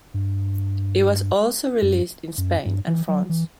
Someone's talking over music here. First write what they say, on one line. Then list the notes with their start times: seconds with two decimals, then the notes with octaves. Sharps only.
It was also released in Spain and France.
0.14 G2
1.82 F#2
2.38 F#2
2.66 G2
2.87 E3
3.08 F#3
3.29 E3